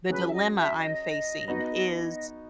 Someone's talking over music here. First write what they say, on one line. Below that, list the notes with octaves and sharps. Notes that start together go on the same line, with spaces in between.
the dilemma I'm facing is
F#3 C#4 G#4 B4
E5
D#5
E5
D#5
B3 D#4 F#4